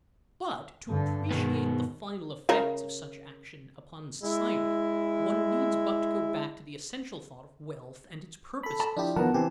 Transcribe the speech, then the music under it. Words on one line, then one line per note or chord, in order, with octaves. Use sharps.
But, to appreciate the final effects of such action upon society, one needs but to go back to the essential thought of wealth and its purposes.
G2 D3
B2 D#3 G#3 B3
C#3 A#4 C#5
G#3 E4
A4 B5
A5
F3 D4 E4 G4
D#3 F3 B3 A#4 F#5 A5
E3 C4 G4